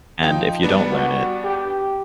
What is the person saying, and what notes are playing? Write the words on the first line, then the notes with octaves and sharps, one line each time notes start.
And if you don't learn it
F3 D#4 G5
G3 B3 D4 B4
F#4
G4